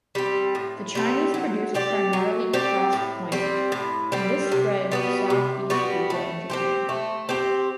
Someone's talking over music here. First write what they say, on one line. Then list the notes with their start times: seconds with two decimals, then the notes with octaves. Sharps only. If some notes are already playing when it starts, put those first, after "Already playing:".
The Chinese produced primarily cast coinage, and this spread to South-East Asia and Japan.
0.15 G3 C4
0.55 A2
0.95 G3 C4
1.34 F#3
1.74 C4 G4 D5
2.13 F#3
2.54 C4 G4 D5
2.93 A2
3.32 G3 C4
3.72 A2
4.12 G3 C4
4.52 C3
4.92 G3 B3 F#4
5.30 C3
5.70 G3 B3 F#4
6.10 A3
6.50 C4 G4 C5
6.89 A3
7.29 C4 G4 C5